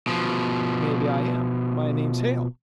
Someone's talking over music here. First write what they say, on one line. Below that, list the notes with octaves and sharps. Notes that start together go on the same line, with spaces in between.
"Maybe I am--my name's Hale."
B2 F3